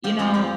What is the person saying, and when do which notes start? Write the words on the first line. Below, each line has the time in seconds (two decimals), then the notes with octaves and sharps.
you know,
0.04 F3 G4
0.19 F2 F4
0.34 F3 G4